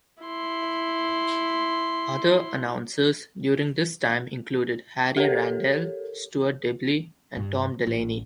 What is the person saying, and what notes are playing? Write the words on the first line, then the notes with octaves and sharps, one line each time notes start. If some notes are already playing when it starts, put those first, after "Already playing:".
Other announcers during this time included Harry Randall, Stuart Dibbley and Tom Delaney.
E4 C6
G4 A4 A#4 C#5
G2
A1